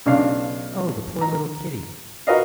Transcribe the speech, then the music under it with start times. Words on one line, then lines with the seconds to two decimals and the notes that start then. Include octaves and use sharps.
Oh, the poor little kitty!
0.06 B1 C#3 D4 F5
1.21 A#5
2.27 F#4 A#4 B4 D#5 F5